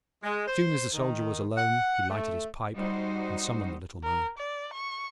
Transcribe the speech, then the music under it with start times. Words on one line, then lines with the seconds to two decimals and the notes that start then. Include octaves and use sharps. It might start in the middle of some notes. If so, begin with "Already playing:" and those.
As soon as the Soldier was alone, he lighted his pipe and summoned the Little Man.
0.24 G#3
0.48 C5
0.94 D#3
1.58 F#5
2.10 A3
2.77 G3 D#4 F#4 C5
4.04 A#4
4.38 D5
4.74 C#6